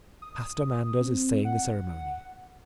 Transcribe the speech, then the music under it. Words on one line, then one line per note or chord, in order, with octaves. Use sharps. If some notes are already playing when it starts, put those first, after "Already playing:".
Pastor Manders is saying the ceremony.
D#6
C4
F#5